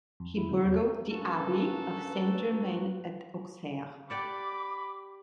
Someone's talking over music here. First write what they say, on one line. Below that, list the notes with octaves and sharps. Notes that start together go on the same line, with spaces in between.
He burgled the abbey of St-Germain at Auxerre.
F2
E4
C3 D4 F#4
E2 F#4
G2 A#3 C#4 F#4 A4 B4
G4 D5 F#5 B5 D6